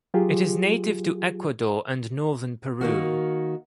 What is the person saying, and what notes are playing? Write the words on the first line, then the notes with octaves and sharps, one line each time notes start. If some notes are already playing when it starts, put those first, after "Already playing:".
It is native to Ecuador and northern Peru.
F#3 F4 G4 G#4
D#3 A#3 F#4